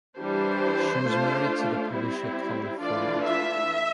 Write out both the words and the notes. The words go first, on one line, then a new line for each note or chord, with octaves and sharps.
She was married to the publisher Carl Freund.
E3 G3 D4 C5
A3 D4 F4
G3 C4 E4
E3 A3 D4 F4 D5
E5